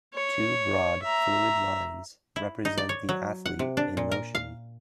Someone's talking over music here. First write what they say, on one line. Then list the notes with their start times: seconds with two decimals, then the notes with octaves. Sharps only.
Two broad fluid lines represent the athlete in motion.
0.14 C#5
1.02 E5 A#5
2.36 E4
2.65 D#4
2.78 D5
2.89 C#5
3.09 F#3
3.46 F#5
3.59 C3
3.77 D4
3.97 A#2
4.12 A#4
4.35 F5